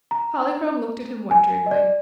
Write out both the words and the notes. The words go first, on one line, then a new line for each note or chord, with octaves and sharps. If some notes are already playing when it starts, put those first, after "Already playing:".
Polychrome looked at him wonderingly.
A#5
G#5
D#5
D5